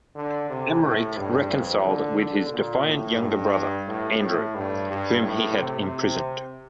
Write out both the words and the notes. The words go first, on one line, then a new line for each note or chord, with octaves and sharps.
Emeric reconciled with his defiant younger brother, Andrew, whom he had imprisoned.
D3
C3
A2
G2
F2
D3
D3
A#2
A2
G2
A2
A2
G2
G2
A2
C3